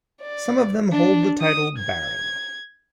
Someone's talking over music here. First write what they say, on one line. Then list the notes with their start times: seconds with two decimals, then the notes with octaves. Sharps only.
Some of them hold the title baron.
0.22 D5
0.91 D4
1.41 D#6
1.79 G#6